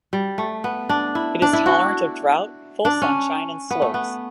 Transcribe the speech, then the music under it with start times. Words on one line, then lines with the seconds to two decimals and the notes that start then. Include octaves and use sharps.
It is tolerant of drought, full sunshine and slopes.
0.13 G3
0.38 A3
0.64 B3
0.89 D4
1.15 E4
1.42 D4
1.53 E4
1.66 F#4
2.85 D4
3.02 C#4
3.71 B3
3.82 A3
3.94 B3